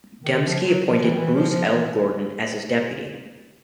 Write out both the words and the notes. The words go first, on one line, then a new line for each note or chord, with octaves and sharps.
Dembski appointed Bruce L. Gordon as his deputy.
D#3
F3
F#3
F3
E3
D#3
E3
F3
F3
E3